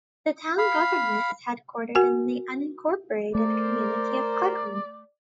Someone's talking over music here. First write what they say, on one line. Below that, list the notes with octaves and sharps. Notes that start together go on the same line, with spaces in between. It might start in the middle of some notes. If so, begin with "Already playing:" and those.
The town government is headquartered in the unincorporated community of Cleghorn.
F5 B5
F#4 A#4 F#5 G#5
A3 A#4 C5 D5